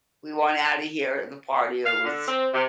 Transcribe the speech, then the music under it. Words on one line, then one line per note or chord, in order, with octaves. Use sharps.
we want outta here, the party, yeah, was
F5
D3
C4
C3